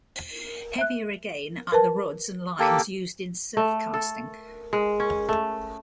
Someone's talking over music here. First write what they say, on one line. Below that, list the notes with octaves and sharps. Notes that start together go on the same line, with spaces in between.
Heavier again are the rods and lines used in surfcasting.
E5 F#6
A#4 B4 A5
A#3 G4 A4
A3
A4
G#3
C#4
A3